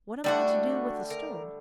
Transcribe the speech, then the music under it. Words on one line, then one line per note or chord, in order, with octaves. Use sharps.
"What am I to do with a stone?"
D3 G3 A3 D4 F#4 F#5
A#4